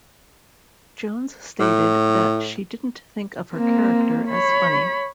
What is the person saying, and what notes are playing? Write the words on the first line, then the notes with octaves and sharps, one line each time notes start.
Jones stated that she didn't think of her character as funny.
A2
A#3 C4
C#5 B5